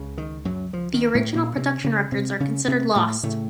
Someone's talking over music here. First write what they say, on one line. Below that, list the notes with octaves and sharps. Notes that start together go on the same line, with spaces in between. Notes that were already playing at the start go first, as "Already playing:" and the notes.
The original production records are considered lost.
Already playing: C#2 C#3
D#3
F#2 F#3
F3
D#3
A2 A3
A#2 A#3
C3 C4
C#3 C#4
C3 C4
C#3 C#4
C3 C4
A2 A3
A2 C#3 A3